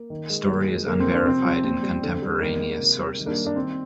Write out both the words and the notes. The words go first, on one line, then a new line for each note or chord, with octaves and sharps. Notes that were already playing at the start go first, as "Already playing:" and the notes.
The story is unverified in contemporaneous sources.
Already playing: A#3
D#3
G#3
D#3 A#3
G#3
D3 A#3
C4
F3
D4
C3 C4
F3
A#2 C4
G3
D3
G3
D#3 A#3
G#3
C3
G3
D#3
A#3 D4
G3
A#3 D4
D#3 C4